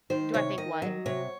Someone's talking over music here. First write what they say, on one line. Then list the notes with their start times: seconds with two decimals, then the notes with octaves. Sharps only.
Do I think what?
0.10 D#3 C5
0.34 C3 C#5
0.58 D#3 D#5
0.82 F#3
1.06 C3 C#5